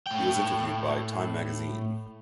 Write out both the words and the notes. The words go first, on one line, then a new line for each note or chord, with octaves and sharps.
He was interviewed by "Time Magazine".
A2 G5